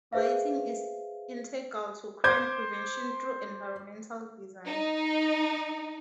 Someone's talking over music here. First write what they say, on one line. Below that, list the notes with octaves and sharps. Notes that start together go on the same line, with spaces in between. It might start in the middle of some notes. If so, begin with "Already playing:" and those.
Lighting is integral to crime prevention through environmental design.
G#4 B4 C5 E5 F5
C5 D6 G6 G#6
D#4